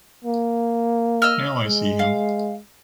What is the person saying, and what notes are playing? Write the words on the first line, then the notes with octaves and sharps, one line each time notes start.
Now I see him.
A#3
D#5 E6 F6
G#3
F5